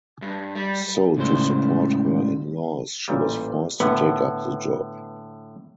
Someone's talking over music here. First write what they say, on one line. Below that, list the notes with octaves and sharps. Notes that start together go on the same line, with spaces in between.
So to support her in laws she was forced to take up the job.
G2
G3
C#2 A2 C#3 G3 C5
A1 A#2 G3
A2 D3 B3 F#5